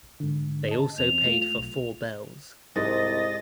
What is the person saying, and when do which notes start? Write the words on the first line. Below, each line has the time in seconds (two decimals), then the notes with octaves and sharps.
They also paid for four bells.
0.20 G#2 D3
0.69 D#5 A5
0.98 E2 C4 F7
1.25 A3 F4
1.58 B1
2.76 C2 G#2 D#5 A6 A#6